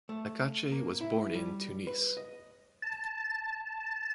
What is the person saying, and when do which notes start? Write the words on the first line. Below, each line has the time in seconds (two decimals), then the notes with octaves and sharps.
Naccache was born in Tunis.
0.09 A3
0.72 A#3
1.01 E4
1.35 G3
1.87 B4
2.17 D#5
2.82 A5